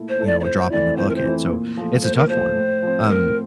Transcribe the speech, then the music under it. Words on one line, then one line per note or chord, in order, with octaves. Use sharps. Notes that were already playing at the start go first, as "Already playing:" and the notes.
you know, a drop in the bucket, so, it's a tough one, um
Already playing: A#2 A3 E4 A4
C5
A3 E4 A4
D5
D5
F2 C5
E3 A3 C4 E4 D5
F2 C5
A#4
C5
E3 A3 C4 E4
A#2
F3 A3
A#2 C5
A#4
F3 A3 C5
A2
F3 C4
A2 A#4